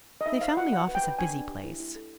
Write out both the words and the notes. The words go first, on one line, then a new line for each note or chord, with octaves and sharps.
They found the office a busy place.
D#5
D#4 E5
C5 F5
F#4 F#5
F#4 F#5
B4
G5
B4
D4 G#5
D4
G4
E4
E4
A4